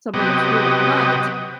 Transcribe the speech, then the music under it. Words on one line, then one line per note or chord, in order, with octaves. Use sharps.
somebody else doing it, but
C3 F#3 B3 G4 D#5